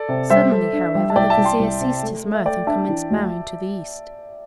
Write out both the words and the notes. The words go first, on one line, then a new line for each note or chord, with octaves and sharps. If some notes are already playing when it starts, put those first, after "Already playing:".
Suddenly, however, the Vizier ceased his mirth, and commenced bowing to the east.
Already playing: A4 D5
C3
G3 C5 E5
A4
D4
G3
A5
C2 D5 G5
E5 A5
C2
G5 C6
C2
C3
A3
A3
E5
A3 D5 G5
D4 E5 A5
E3
D2